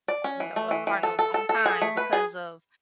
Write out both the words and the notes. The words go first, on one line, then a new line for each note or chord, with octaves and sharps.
no uh, car notes on time because of,
D5
C#4
E3
A3
E3
E3
A4
A4
A4
A4
G#4
A3
B4
G#4